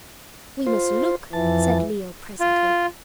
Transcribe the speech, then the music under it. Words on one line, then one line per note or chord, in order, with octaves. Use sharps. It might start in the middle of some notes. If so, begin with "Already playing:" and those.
"We must look," said Leo presently.
F4 C5
F2 E3 F3 A5
F4